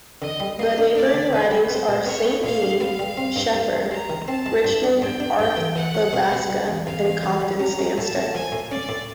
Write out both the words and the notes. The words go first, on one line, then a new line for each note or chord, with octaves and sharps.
The neighbouring ridings are Saint-Jean, Shefford, Richmond-Arthabaska, and Compton-Stanstead.
D3 D#5
G3
A#3 D#5
D4
D4 D5
D3
D3 B4
G3
B3 C5
A#2
B3 C#5
B3
A#2 F5
D4
B3 F5
G3
C4
G2
G2
G#3
G#3 A#5
D#3
C4 A5
G#3
G2
D4
G2 G5
D4
G2 G5
E3
E3 F#5
A3
B2
B2
G3
E2
E2 F5
E2
E2
G3
C#4 A#5
C#4
A2 A5
C#4
F3 G#5
A2
C#4 D5
A2